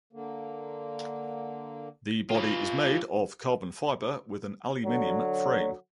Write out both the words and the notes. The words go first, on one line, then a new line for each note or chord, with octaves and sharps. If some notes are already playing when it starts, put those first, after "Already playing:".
The body is made of carbon fiber with an aluminum frame.
D3 A#3
F4 B4
D3 F#3